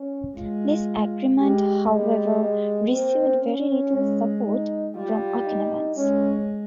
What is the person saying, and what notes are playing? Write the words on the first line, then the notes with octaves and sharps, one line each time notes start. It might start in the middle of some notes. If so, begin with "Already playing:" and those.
This agreement, however, received very little support from Okinawans.
Already playing: C#4
G#3 F4
G#3 G4
G3 G#3
G#3
A#3 C4
C#4
G#3
D#4
G3 F4
D#4
G#3 C#4